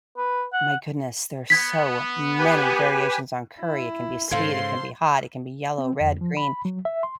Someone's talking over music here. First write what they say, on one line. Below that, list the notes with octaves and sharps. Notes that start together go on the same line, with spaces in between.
my goodness, there are so many variations on curry: it can be sweet, it can be hot, it can be yellow, red, green,
B4
F#5
B3 G#6 B6
G4 B4 G#5
E4
G#2 C#3 A4 C5 F5 C6 G#6
C4
F2
F3
B5
F#3
E5
C6